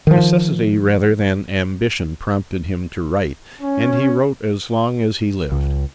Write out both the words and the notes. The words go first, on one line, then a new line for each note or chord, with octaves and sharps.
Necessity rather than ambition prompted him to write, and he wrote as long as he lived.
D#3 F3
C#4
C#2